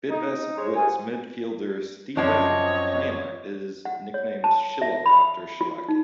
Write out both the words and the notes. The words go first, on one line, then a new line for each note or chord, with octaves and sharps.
Bidvest Wits midfielder Steven Pienaar is nicknamed "Schillo" after Schillaci.
D#4
G#3 C5 C#5
D#2 G#2 G#5
F#2 F3 C4 D4 C#5 D#5
F#5
C#5
A5
E5
B5
F4
D#4